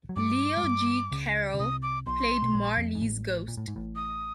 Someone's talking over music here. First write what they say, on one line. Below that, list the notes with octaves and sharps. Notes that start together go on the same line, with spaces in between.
Leo G. Carroll played Marley's Ghost.
F#3
G2 G3 D6
G#3
G2 G3
C#2 C#3
C#3
C2 C3 D#6
D6
B1 B2 C6
B2
A#1 A#2
F2
G#2
A1 A2
A#2
A2
G#2
A1 A2
D#6